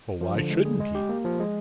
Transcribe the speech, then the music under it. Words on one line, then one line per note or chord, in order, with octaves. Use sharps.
"Why shouldn't he?"
F3
D3
G#3
G#4
G#3
G4
A#3
F3
G#3